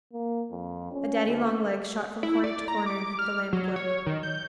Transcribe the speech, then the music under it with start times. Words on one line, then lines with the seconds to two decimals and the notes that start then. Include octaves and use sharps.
A daddy-long- legs shot from corner to corner and hit the lamp globe.
0.13 A#3
0.51 F2
0.92 C#4
1.26 D2
2.23 E4
2.44 D5
2.68 A#5
2.86 D6
3.19 F6
3.53 F#3
3.76 C#5
4.07 D#3
4.23 G6